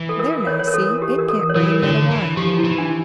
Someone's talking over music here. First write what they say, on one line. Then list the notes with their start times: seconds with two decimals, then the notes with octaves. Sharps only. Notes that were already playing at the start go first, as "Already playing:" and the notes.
"There, now, see, it can't rain yet awhile."
Already playing: E3
0.09 A4
0.19 A#4
0.47 C#5
0.59 C#5
0.67 A#4
0.74 A4
1.02 G4
1.18 A#4
1.29 A4
1.49 C#5
1.55 E3 A#4
1.83 D3 C#5
2.11 E3
2.37 F3 G4
2.58 E4
2.64 E3
2.78 D4